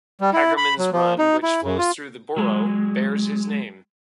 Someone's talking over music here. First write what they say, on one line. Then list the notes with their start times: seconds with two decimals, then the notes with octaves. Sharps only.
Hagermans Run, which flows through the borough, bears his name.
0.21 G3
0.33 E4
0.57 B5
0.79 F#3
0.93 F3
1.19 D#4
1.43 E4
1.63 F#2
1.79 F4
2.37 F#3 G#3